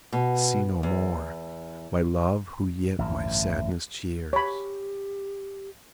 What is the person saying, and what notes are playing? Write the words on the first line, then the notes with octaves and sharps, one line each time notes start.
I see no more My Love, who yet my sadness cheers.
B2
E2
A1 G2 D3
G4 C#5 B5